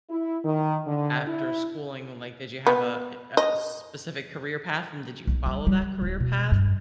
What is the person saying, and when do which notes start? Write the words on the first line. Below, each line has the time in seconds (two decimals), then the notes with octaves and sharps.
after schooling, um, like, did you have a eh a specific career path, and did you follow that career path
0.10 E4
0.44 D#3
0.86 D3
1.27 E4
2.67 B3
3.37 D#5
5.27 B1
5.46 G3
5.67 G3
6.02 D1
6.20 B2
6.52 G2